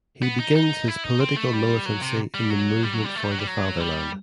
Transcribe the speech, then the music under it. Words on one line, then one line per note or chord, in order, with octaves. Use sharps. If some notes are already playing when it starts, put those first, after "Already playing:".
He begins his political militancy in the Movement for the Fatherland.
B3
D#4
D#4
E4
D#4
C4
A3
G3
F#3
C3
G3
F#3
G3
F#3
G3
A3
G3
F#3
G3
F#3
G3